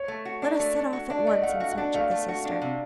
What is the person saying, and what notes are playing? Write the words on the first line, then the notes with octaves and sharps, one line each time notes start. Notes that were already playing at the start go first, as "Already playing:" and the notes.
Let us set off at once in search of the sister.
Already playing: C#5
A3
F#4
D4
A3
A3
F#4
D4
D5
A3 D#5
A3 F#5
F5
F#4
F#5
D4
A3 F5
A3
F#4
D4
C3